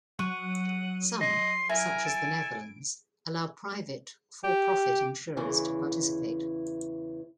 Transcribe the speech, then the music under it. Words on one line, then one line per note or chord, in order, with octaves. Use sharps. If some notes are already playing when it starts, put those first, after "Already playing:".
Some, such as the Netherlands, allow private for-profit insurers to participate.
F#3 F#5 C#6 D#7
D#5 C6
E4 A#4 G#5
A4 D7
G4
E2 C#3 E3